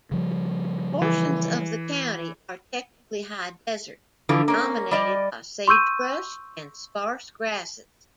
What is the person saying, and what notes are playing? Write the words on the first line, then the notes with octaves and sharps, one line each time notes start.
Portions of the county are technically high desert, dominated by sagebrush and sparse grasses.
C#3 F3 G3
E3
D3 E3 F3
A#3 C#4
G3 D5 D#5
C6 C#6 E6 G6 D#7